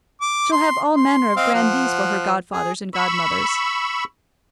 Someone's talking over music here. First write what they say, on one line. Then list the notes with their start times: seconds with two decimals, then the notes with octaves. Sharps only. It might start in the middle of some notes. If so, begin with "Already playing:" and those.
She'll have all manner of grandees for her godfathers and godmothers.
0.21 D6
0.52 C6
0.96 C6
1.37 C4 D#5 F5
1.54 F3 F#5
2.53 G#4
2.94 B5 C#6 E6